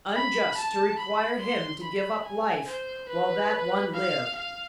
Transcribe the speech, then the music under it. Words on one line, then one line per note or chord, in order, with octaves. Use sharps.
Unjust to require him to give up life while that one lived.
B5
A5
B5
C6
B5
G#5
C5
B4
F5
F5